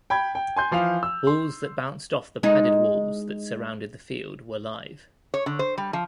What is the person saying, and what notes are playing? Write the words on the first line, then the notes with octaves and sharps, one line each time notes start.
Balls that bounced off the padded walls that surrounded the field were live.
G5 B5 G#6
G5
G#5 C6 G6
E3 F3 F5 F7
E6
C6
G#3 D#4
C#5
D3
C5
G3
F3